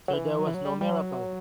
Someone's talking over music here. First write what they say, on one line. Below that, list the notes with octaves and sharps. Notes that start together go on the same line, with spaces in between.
So there was no miracle?
F#3
E3
F#3
E3
F#3
G3
G3
F#3